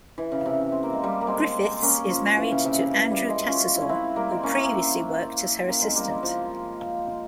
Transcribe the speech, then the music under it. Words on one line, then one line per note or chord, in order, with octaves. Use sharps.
Griffiths is married to Andrew Tattersall, who previously worked as her assistant.
E3
C#3
C3
C4
A#3
G#3
G3 A#3
A#3
G#3 C4
C4
A#3 C#4
F3
E3
C#3
C3
C#3
E3
G3
G#3
C#4 F4
E4
C#4
C4 E4
G3 A#3
G#3 C4
A#3 C#4
C4 E4
A#3 C#4
G#3 C4
G3 A#3
G#3
F3